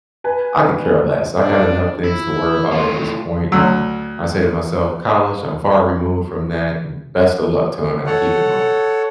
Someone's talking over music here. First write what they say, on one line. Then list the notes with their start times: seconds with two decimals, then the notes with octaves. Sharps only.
I could care less. I got enough things to worry about at this point, and I say to myself, "College, I'm far removed from that, and best of luck to 'em," and I keep it moving.
0.24 B4 G#5
1.42 D4
2.04 E4
2.71 A2 F4
3.52 D2 F#3 E6
8.06 A4 C#5 F#5